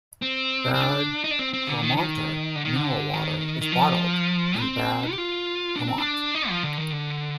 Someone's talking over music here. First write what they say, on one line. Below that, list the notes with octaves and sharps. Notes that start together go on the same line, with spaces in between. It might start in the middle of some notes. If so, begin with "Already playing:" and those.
Bad Pyrmonter mineral water is bottled in Bad Pyrmont.
C4
C4
D4
D#4
D4
C4
C4
D3
D#3
D#3
D3
D#3
D3
D#3
D#3
F3
C4
G4
F4
D4
C4
D4
D#4
F3
D3
D#3
D3